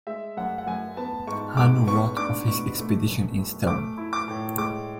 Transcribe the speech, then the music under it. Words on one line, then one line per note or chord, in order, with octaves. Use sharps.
Hannu wrote of his expedition in stone.
G#3 E5
F#2 F#5
F#5
F#2 G#5
B3 A5
G#2 C#6
G#2 D6
B3 C#6
D4 D6
B2 C#6
A3
F#2
F#2
A3 D6
E4
D6
A2
G#3 D6